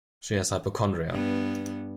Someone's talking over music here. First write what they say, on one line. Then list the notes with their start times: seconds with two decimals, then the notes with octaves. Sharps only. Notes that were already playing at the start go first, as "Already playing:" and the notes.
She has hypochondria.
1.10 G2 B3